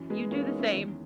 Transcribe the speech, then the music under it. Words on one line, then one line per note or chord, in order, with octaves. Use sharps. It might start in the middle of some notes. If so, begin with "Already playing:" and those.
You do the same.
Already playing: F#2 E3
G#3 B3
F#2 E3 A#3 C#4
B3 D#4
C#4 E4
E2 D#3